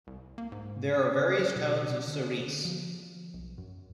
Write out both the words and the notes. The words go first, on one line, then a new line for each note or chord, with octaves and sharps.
There are various tones of cerise.
C2
A#3
G#2
F#3
B2
D3
D3
F3
B1
F#2